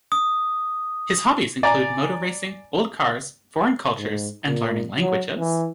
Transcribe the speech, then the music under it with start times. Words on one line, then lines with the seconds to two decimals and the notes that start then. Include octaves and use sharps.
His hobbies include motor racing, old cars, foreign cultures and learning languages.
0.12 D#6
1.63 D5 G#5 A#5
3.97 G#2
4.45 A#2
4.97 F#3
5.38 E3